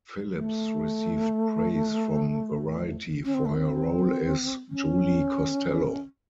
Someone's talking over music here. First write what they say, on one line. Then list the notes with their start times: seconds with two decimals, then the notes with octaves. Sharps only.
Phillips received praise from "Variety" for her role as Julie Costello.
0.33 A3
3.25 C#4
3.34 C4
3.45 A3
3.55 C4
4.70 C#4